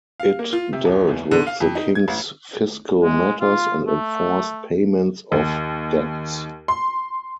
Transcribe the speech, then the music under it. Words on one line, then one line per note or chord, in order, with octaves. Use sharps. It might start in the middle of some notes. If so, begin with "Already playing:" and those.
It dealt with the king's fiscal matters and enforced payments of debts.
F5
A#3
F4
C3
D#1
E2
D3
F5
F2
D#4
G#6
A1
G#3
F4
A3
D#2
C6